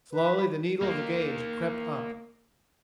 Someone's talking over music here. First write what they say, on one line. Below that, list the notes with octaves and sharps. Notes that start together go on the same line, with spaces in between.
Slowly the needle of the gauge crept up.
B4
A#3 D#4